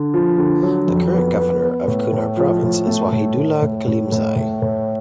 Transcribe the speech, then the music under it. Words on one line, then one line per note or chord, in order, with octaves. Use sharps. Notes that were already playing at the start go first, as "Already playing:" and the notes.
The current governor of Kunar province is Wahidullah Kalimzai.
Already playing: D3
F3
D3
F#3
F2
B3
B3
B3
A2
A2
F3
A2
A3
A2
A2
A2
A2
A2
A2
A2